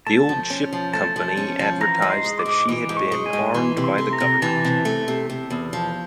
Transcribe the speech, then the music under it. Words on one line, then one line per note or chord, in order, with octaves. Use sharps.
The Old Ship Company advertised that she had been armed by the government.
A3 A5
F3
C#4
F3
A3 A5
F3
C#4
F3
E3 A#5
G#2
C6
G#3
D6
G#2
E3 D6
G#2
C#6
G#3
G#5
G#2
E3 C6
C3
C6
A3
A#5
C3
E3 A5
C3
A3
C3
C3
E2
F3